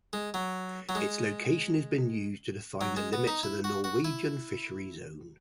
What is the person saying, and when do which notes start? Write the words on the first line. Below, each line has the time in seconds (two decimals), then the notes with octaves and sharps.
Its location has been used to define the limits of the Norwegian fishery zone.
0.13 G#3
0.34 F#3
0.89 F#3
0.95 G#3
2.81 F#3
2.96 G#3
3.13 B3
3.27 D#4
3.43 E4
3.64 F#4
3.84 F#4
4.04 E4